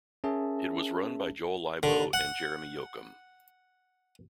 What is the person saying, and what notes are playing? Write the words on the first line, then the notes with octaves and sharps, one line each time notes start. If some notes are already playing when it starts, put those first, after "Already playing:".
It was run by Joel Leibow and Jeremy Yocum.
C#4 G#4 A#4 E5 A5
D3
F#5